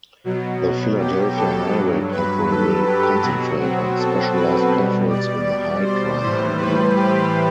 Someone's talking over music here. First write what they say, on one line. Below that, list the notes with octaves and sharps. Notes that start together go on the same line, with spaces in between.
The Philadelphia Highway Patrol will concentrate on specialized patrols in high-crime area.
B2 F#3
G4
A4
G2 F#3
B4
A4
G4
B2 F#3 F#4
C4
A4
B4
B2 G3
D5
D5
C5
A2 E3 G3 C5
B4
G4